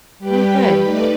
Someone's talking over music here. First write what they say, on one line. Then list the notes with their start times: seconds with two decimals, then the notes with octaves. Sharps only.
Oh, good.
0.18 G3 G4 B4 G5 B5
0.81 A3 D#4 B4 D5